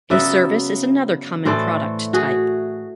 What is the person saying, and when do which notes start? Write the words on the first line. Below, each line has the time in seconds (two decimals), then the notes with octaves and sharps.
A service is another common product type.
0.10 C#3 F#3 B3 D5 E5
1.45 A2 E3 A3 C5 D5
2.13 F#4 G#4